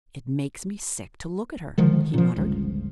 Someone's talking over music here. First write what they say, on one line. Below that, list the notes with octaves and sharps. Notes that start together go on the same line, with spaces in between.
"It makes me sick to look at her!" he muttered.
D3 D#3 F3 G#3
A#2 F3
G1 C#2